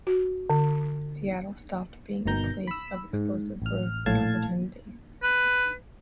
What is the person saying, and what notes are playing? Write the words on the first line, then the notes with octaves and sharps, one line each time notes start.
Seattle stopped being a place of explosive growth and opportunity.
F#4
D3
G1 B2 D#3 A#5 G6
B5 E6
G#2
A1 F6
A#1 A2 F5 A5 G#6
B4